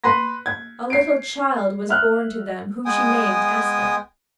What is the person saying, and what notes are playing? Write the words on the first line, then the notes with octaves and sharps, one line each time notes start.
A little child was born to them whom she named Esther.
B4 B5 C6 A#6
G#6
C7 D7
E5 F6 F#6
G#3 B3 G5 G#5 D#6